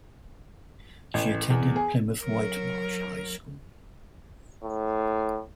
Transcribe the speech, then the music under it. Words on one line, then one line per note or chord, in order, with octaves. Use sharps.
She attended Plymouth-Whitemarsh High School.
A1
E2
G#4
F#3 A#4
A2